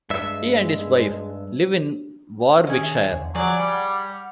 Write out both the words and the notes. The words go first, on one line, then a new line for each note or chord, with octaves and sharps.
He and his wife live in Warwickshire.
G2 G#3 E5
D#3 C#4 G#4 A4 D#6
E2 D3
F3 F#3 G#4 D5
G3 F#5 F6